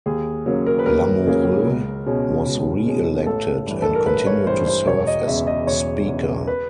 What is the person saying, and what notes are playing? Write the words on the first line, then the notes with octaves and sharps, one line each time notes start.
Lamoureux was re-elected and continued to serve as Speaker.
D#2 G#4
C#3 F#3 A#3 C#4
A#4
B4
D#2 A#4
C#3 F#3 A#3 C#4
C#2
B2 G#3 C#4
C#2
B2 G#3 C#4
A1 A4
G2 E3
A4
A#4
A1 B4
C#5
G2 E3 C5
C5
E1 C#5
D#5
E2 C#3 E5
D#5
E1 C#5
E2 C#3
B4